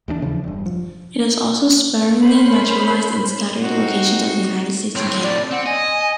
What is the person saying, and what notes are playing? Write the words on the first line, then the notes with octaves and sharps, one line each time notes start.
It is also sparingly naturalized in scattered locations in the United States and Canada.
D#2 E3 C4 D4
C#3 E3 F3
E1 G2
F3
A#3 C#4 C5 B5 C6
C4 D#4 F#4
A2 C4 C#5
D5
C4 F#5
D#5 G#5